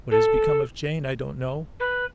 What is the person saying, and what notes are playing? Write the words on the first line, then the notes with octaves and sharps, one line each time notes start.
What has become of Jane I don't know.
A4
B4